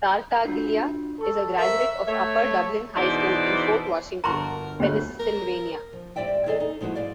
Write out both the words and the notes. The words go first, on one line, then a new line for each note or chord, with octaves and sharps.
Tartaglia is a graduate of Upper Dublin High School in Fort Washington, Pennsylvania.
D4 F4 F#4
A4 C#6
A#4 C5 E5 C#6
A3 C#5 E5
E2 B2 D#4 C5 D5 E5
G1 F#4 A#4 A5 A#5 C6 C#6
D2 G4 C5 C#5
A#4
F3
G#2 G3 C4 D5 E5 G5
E2 G#4 A4 C#5 D#5 G#5
D#4
F3 G#3 E4 F#4 C5
G#2 G#4 D5 F5